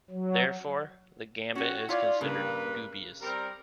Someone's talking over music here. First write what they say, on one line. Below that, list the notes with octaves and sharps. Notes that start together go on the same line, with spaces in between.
Therefore, the gambit is considered dubious.
F#3
C#4 F#4 G4
E4 F4 C#5 D5
G2 C#3 A#3 B4
G3 C4 A#4